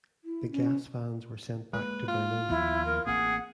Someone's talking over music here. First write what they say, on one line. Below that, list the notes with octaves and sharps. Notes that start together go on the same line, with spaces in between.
The gas vans were sent back to Berlin.
E4
C#4
G#3 A#3 B4
F4
D#2 F3 B3 E4
A#4
A1 A#3 C4 G#4 F#5